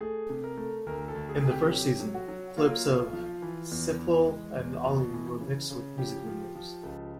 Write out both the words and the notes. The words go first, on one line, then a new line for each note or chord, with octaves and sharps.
In the first season, clips of Sifl and Olly were mixed with music videos.
A3 G#4
C3
A#4
A3
D2 A#4
A4
D2
G#4
C3 G#4
G4
F#3 G4
F#3
F#4
F#3
A#3 F4
B1
F3
E3
E2
E3
G#3
E2
B2
E3
C#3
C#3
F3 G4
F3
F3
C#2